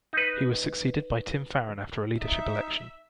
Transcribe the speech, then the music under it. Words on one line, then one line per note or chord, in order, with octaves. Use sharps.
He was succeeded by Tim Farron after a leadership election.
D#4 B4
D#4 E5